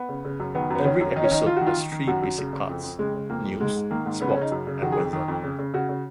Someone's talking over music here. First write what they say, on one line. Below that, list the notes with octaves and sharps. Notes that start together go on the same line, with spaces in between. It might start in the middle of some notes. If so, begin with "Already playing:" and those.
Every episode has three basic parts: news, sport and weather.
Already playing: B3
C#3
C#3
F#2
D#3 B3
F#2 B3
D#3 C#4
F#2
D#3 D#4
C#4
D#3 D#4
D#3 F4
F#4
D#3
F4
D#3
D#3
F#2 F#4
F#2
C#3
C#3
F2
F2
C#3 G#3
C#3
F2 A#3
F2
G#2 G#3
G#2
D#3 A#3
G#2
C#3 B3
C#4
C#3 D#4
F#2
C#3
D#3 F#4
G#4
F2
D#3
F2
C#3
C#3
C#3 F#4
C#3